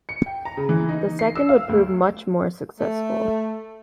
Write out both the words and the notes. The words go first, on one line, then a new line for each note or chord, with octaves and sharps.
The second would prove much more successful.
C#7
G5
A#5
C#3
E3
D#4
C7
E6
F5
D2
A3